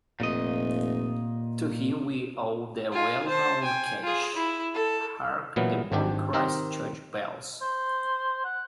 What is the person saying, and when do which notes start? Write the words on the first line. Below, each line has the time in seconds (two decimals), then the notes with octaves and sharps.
To him we owe the well-known catch, Hark, the bonny Christ Church bells.
0.20 F1 A#2 D#5
2.92 F4 G#5
3.27 C5 A5
3.62 G5 G#5
4.02 F4 G#4
4.35 E4
4.74 A4
5.56 A#2 E3 F#3 B3
5.92 G#1 G#2 D4 G4
6.33 D#3 C4 G4 A#4 D#5
7.61 C5
8.45 F#5